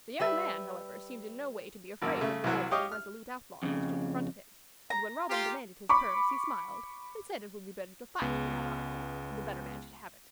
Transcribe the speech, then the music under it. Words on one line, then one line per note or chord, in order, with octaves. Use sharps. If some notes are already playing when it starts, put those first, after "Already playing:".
The young man, however, seemed in no way to be afraid of the bold and resolute outlaw who stood in front of him, and when Robin demanded his purse he smiled and said it would be better to fight for that article and the better man should have it.
G3 B4 E5
G#1 F#2 A#3
C#3 A3
C2 E3 F#3 F#6
G4 C#5 D#5 F5 D6
F6
F2 C#3
A#5
F4 G4
B5 C#6 D6
C#2 G#3 B3